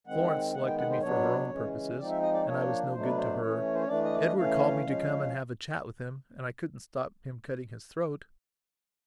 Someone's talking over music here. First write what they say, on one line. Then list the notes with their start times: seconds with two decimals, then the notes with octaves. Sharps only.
Florence selected me for her own purposes, and I was no good to her; Edward called me to come and have a chat with him, and I couldn't stop him cutting his throat.
0.07 D#3 G#3 C4 F#5
0.55 D#3 G#3 B3 F#5
0.67 G5
0.79 F#5
0.90 C5
1.01 B2 F#3 B3 D4 C#5
1.50 C#3 E3 G#3 C#4
1.97 F3 G#3 C4 D#4 D5
2.09 E5
2.22 D#5
2.33 D5
2.45 F3 A#3 D4 C#5
2.92 B2 F#3 A3 D4 C5
3.05 B4
3.17 C5
3.41 E3 A3 C#4 C#5
3.75 C5
3.81 C#5
3.88 E3 A3 D4 D5
4.04 D#5
4.13 D5
4.21 D#5
4.37 E3 A3 C#4 F5
4.84 F3 G#3 C#4